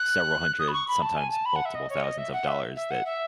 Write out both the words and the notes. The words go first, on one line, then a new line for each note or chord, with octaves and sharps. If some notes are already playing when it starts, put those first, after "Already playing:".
several hundred, sometimes multiple thousands of dollars that
Already playing: F#6
D#6
B5
C#6
B5
A5
G#5
A5
B5
F#5
E5
D#5
C#5
D#5
E5
F#5
E5
E5
F#5
E5